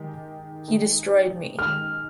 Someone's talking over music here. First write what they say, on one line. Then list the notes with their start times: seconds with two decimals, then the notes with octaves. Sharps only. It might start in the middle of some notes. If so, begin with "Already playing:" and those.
He destroyed me.
Already playing: D#3 G#3 D#4 G4
0.67 D#3 G#3 D#4 G4
1.59 D#3 G#3 D#4 G4 F6